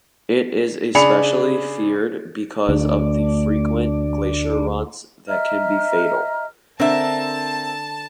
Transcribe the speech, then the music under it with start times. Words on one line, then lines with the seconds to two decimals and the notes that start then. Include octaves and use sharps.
It is especially feared because of the frequent glacier runs that can be fatal.
0.95 C#3 D4 G#4 B5 C#7 F7
2.69 D2 A3 D4 D5
5.29 D#5 E5 A#5 F6
6.80 D3 C4 A#4 E5 A5